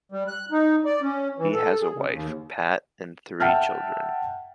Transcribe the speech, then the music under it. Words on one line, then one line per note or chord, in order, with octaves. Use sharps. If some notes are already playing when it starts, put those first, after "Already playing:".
He has a wife, Pat, and three children.
G3
F#6
D#4
D5
C#4
E3
A4
G#4
C#3
D#2
E5 F#5 G5 A5 F6